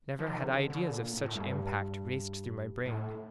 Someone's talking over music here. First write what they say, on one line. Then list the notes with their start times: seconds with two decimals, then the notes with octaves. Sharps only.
Never had ideas of such impact raced through my brain!
0.19 F3
0.27 D#3
0.41 C3
0.47 D3
0.70 D3
0.91 A#2
1.12 A2
1.24 A2
1.34 G2
2.85 A2